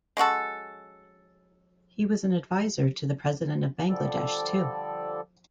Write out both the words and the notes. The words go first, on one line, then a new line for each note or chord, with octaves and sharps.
He was an adviser to the President of Bangladesh too.
G#3 C#4 F#4 A4
D3 F3 G3 A4 D5